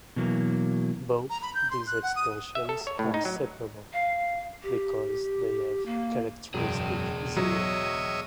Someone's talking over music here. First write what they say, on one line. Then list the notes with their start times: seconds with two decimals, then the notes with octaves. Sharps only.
Both these extensions are separable, because they have characteristic zero.
0.16 B2 E3 F#3 A#3
1.30 A#5
1.42 B5
1.55 G6
1.70 C6
1.87 F#6
2.03 F#5
2.16 D#6
2.55 E5
2.69 A4
2.87 C#5
2.99 A2
3.14 D#4
3.25 F#3
3.93 F5
4.63 G4
5.86 A#3
6.54 E1 C#2 F#2 G#4 D5
7.37 F#3 C#5 D#5 E5